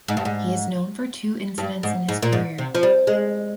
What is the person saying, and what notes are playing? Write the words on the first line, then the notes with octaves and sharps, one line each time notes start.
He is known for two incidents in his career.
G#2
G2
G#2
G2
G#2
G#2
A#2
G#2
C3
F3
G3
G#3